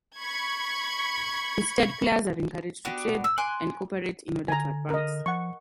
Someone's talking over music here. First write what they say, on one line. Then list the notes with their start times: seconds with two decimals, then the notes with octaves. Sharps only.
Instead, players are encouraged to trade and cooperate in order to advance.
0.18 B5 C#6 G#6
2.85 B3 D4 F#4 G4
3.24 E6
3.38 G#5 C6 D6 F#6
4.48 D3 G#5 A#5
4.90 A#4 D#5
5.26 F3 F#5 C#6